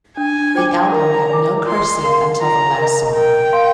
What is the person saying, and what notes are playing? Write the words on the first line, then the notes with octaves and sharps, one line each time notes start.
The album had no cursing until the last song.
D4 G#5
F4 C5 G5 D6
A#4 A#5
D5 G#5 D6
F4 C6
A#4 F5
F4 A#5
A#4 D#5
A#4 G5
F5 C6